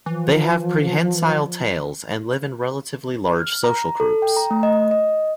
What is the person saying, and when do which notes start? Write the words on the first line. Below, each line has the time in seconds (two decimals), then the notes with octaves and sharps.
They have prehensile tails and live in relatively large social groups.
0.06 E3 F3
3.40 F6
3.64 A#5
4.00 A4
4.22 G5
4.37 A#5
4.51 A3
4.63 D#5
4.91 D#5